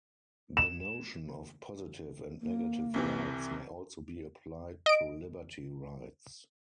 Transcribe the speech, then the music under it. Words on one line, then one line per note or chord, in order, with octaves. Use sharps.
The notion of positive and negative rights may also be applied to liberty rights.
E7
A#3
C2 C3 E3
D#5 D7